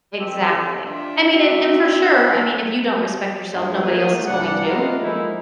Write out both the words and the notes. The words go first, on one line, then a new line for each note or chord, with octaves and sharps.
Exactly, I mean, and and for sure, I mean, if you don't respect yourself, nobody else is going to.
C4 G4 A4
D4 F4 E5
C4 F#4
G2 F3 F#3 G#3
E3 A3 A#3 G#4
C2 G2 D5 F#5
A3 F4 B4 D#5 F5 A#5
F3 G#3 A#3 D#4 E4